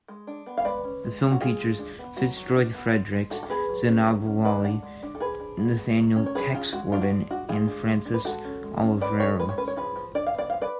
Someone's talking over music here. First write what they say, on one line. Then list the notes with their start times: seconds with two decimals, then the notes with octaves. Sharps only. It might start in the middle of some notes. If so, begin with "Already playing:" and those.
The film features Fitzroy Fredericks; Zeinab Wali; Nathanial "Tex" Gordon; and Frances Olivero.
0.08 G#3
0.27 D4
0.46 B3
0.57 F5
0.64 G#3 B4 D5
0.84 C#4
1.04 G#3
1.22 C#4
1.31 F#4
1.41 G#3 F4 G#4
1.60 G#3
1.79 D4
1.99 B3
2.17 F#3 F#4
2.37 F#3
2.56 D4
2.74 B3
2.93 G#3
3.12 G#3
3.30 D4 F#4 A4
3.43 A4
3.50 B3 G#4 B4
3.69 F#3
3.88 C#4
4.07 F#3
4.26 C#4
4.44 G#3 B4 D5
4.64 D4 D5 F#5
4.82 G#3
5.03 D4
5.15 A4
5.20 F3 G#4 B4
5.40 D4
5.59 B3
5.78 G#3
5.98 F#3
6.16 C#4
6.26 C#5
6.35 F#3 G#4 B4
6.54 C#4 F4 G#4
6.72 G#3 F#4
6.92 D4 F4
7.01 F#4
7.10 G#3
7.30 D4 F#4
7.49 G#3 F4 G#4
7.67 D4
7.87 G#3
8.05 D4
8.14 B4
8.25 G#3 F#4 A4
8.45 C#4
8.63 G#3
8.82 C#4
9.01 G#3 B4 D5
9.19 C#4 A4 C#5
9.39 G#3 B4
9.49 C#5
9.58 C#4 B4
9.68 C#5
9.76 F3 G#4 B4
9.96 F3
10.15 D4 D5
10.27 F5
10.34 B3 D5
10.50 F3 F5
10.61 B4 D5